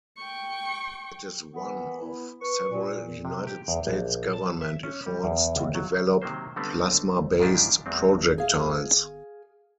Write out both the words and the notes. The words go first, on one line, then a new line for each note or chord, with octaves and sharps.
It is one of several United States Government efforts to develop plasma-based projectiles.
G5 C#6
A#2 E3 B3 B5
B3 E4
B4 C#6
A#2
C3
G4
E2
A#1
A5
E5
C#4
G3
E2
C#2
F#3
C3 D#3 F#3 A#3 C5
D3 G3 A3 B3 C4
G#2 C#3 F3 D4 E4 G4
E2 F#3 G#3 C4
G#4 F5